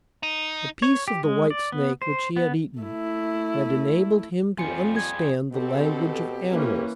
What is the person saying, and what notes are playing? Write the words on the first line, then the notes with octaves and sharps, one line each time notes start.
The piece of the white snake which he had eaten had enabled him to understand the language of animals.
D#4
C#5
G4
G#3
D5
B3
C5
B3
A3 E4
F2 G3 F4 G#5 C#7
D#5 G#6
B2 C4 G4 A4
E3 A#3 C#4